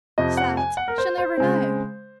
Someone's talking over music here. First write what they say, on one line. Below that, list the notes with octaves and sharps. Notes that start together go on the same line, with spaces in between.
Besides, she'll never know.
F2 C3 F3 D#5
F#5
G#5
F#5
A#4
C5
C5
C#3 G#3 C4